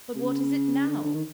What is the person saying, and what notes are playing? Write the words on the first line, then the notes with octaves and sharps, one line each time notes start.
But what is it now?'
C3
C#3
D3
D3
D#3